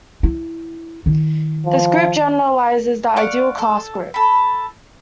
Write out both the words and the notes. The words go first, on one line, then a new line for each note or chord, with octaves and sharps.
This group generalises the ideal class group.
E4
D#3 E4
F3
D5 F5 F#5 C#6
A4
A4 B5